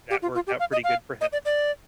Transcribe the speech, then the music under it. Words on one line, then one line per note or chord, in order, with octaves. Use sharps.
that worked out pretty good for him.
G4
F4
F4
G4
F5
D#5
F5
D#5
D5
D5